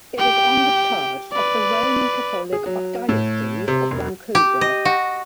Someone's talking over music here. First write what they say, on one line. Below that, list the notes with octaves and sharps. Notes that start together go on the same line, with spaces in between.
It is under charge of the Roman Catholic Archdiocese of Vancouver.
G4 G5
B4 D5
G#4
F#3
A2
C3
E1
G4
D#5
F#4